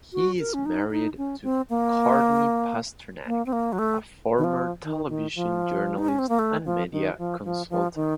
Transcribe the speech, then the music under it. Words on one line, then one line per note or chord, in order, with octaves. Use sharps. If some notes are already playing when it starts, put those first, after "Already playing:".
He is married to Cortney Pasternak, a former television journalist and media consultant.
F#4
A#4
C#4
D#4
D#4
C#4
C4
A#3
A#3
C4
A#3
F#3
A3
D#3
F3
D#3
D#3
F3
D#4
C#4
C4
A#3
A3
F3
D#3
F3
F3
F3
D#3